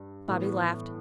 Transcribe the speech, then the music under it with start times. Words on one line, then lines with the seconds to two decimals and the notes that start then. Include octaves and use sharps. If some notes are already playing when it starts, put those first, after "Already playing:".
Bobby laughed.
Already playing: G2
0.28 A2 E3 B3